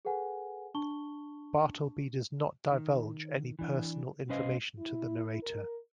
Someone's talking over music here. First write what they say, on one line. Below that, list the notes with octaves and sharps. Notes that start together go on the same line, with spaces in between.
Bartleby does not divulge any personal information to the narrator.
G#4 A4 B4 F#5 G#5
D4 A5 C#6 G7
D#3
E3 D4
C2 C#4 B4 C5 D#5 F5
E4
A#4